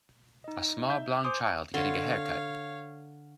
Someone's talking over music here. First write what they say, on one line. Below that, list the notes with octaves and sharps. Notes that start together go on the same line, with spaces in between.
A small blond child getting a haircut.
D#4 D#5
E5 G6
C5 G#5 C6 D6 D#6
D3 C#5 F5 C6